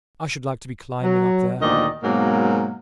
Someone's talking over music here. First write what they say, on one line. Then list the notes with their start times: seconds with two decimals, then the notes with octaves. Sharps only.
I should like to be climbing up there!
1.03 F#3
1.60 D2 A#2 D#3 F3 D5 D#5
2.04 G#2 B2 F#3 A#3